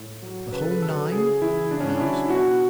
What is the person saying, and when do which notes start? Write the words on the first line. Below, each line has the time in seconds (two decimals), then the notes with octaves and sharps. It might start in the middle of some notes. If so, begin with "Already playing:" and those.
"The whole nine?" I asked.
Already playing: A2
0.22 F#3
0.52 C#3 B4
0.62 A4
0.71 B4
0.82 F#3 A4
1.12 C#3 G#4
1.41 E3 E4
1.71 C#3 D4
1.80 C#4
1.90 D4
2.01 F#3 E4
2.26 E4
2.30 B2 F#4